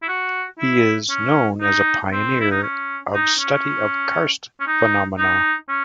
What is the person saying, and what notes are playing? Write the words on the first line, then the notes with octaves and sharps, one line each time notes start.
He is known as a pioneer of study of karst phenomena.
E4
F#4
E4
C#4
D#4
C4
E4
D#4
C#4
D#4
C#4
C#4
D#4
D#4
C#4